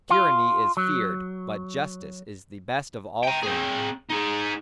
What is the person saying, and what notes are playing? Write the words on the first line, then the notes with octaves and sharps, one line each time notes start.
Tyranny is feared: but justice is the best of all things.
F4
F#3
G5 A#5
C4 G#4
D#4 G#4